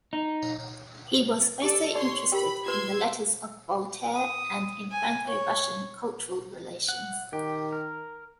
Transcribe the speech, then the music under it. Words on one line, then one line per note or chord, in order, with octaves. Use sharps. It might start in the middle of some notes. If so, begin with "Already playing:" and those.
He was also interested in the letters of Voltaire and in Franco-Russian cultural relations.
D#4
G4 A4 D5 C#6
D#4 C#5 D5 C6 C#6
G4 A#4 G5 B5
F4 B4 C6 E6 G#6
D#6
G#5
C#5
F#5
D#3 G4
A#4